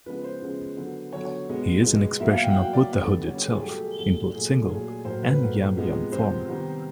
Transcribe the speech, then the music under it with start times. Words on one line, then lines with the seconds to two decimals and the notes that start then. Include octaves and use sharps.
He is an expression of Buddhahood itself in both single and yabyum form.
0.06 C#3 F3 G#3 B3 B4
0.24 C5
0.42 C#3 F3 G#3 B3
0.77 D3 F#3 B3
1.13 D3 F#3 B3 C#5
1.25 C#5
1.49 B2 G#3 B3
1.84 B2 G#3 B3
2.20 B2 F#3 A#3 E5
2.32 F5
2.44 G5
2.50 F#5
2.56 B2 F#3 A#3 G5
2.73 D5
2.91 D3 G3 B3
3.27 D3 G3 B3 C#5
3.45 G#4
3.62 B2 F#3 A3 G4
3.76 A4
3.80 G#4
3.98 B2 F#3 A3
4.34 A#2 F#3 A3 G#4
4.51 A4
4.69 A#2 F#3 A3 G#4
4.87 G#4
5.05 A2 F#3 A#3 C5
5.23 B4
5.41 A2 F#3 A#3
5.76 C3 F3 G#3 B3
6.12 C3 F3 G#3 B3 C5
6.48 C3 D#3 G3 B3